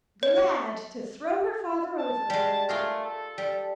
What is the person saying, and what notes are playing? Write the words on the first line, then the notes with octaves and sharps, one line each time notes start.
Glad to throw her father over!
C#5
A5
G3 G#3
A3 F4 G#4 A#4
A4
G3